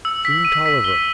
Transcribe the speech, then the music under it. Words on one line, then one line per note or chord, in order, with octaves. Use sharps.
"June Tolliver."
E6
B6
D#7
B6
G7